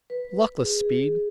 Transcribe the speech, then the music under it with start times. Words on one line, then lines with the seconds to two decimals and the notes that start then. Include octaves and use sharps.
Luckless speed!
0.10 B4
0.63 G#4